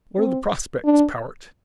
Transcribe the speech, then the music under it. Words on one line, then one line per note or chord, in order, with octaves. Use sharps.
"What are the prospects, Powart?"
C4
D4